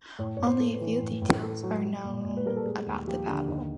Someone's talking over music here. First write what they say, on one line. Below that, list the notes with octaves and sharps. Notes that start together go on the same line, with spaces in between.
Only a few details are known about the battle.
A2 C#5
A2 C#5
C5
A3
B4
E3
A2
A2
A3
F#3
G3
A#2
A#2
B4
G3 A#4
A4
G#3 G#4
D#2
F3 G4
D3
D#2 D#4